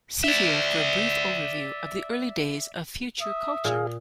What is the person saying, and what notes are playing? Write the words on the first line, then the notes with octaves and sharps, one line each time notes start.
See here for a brief overview of the early days of Future Culture.
D5 E5
E5 D#6
A#2 G#4 F5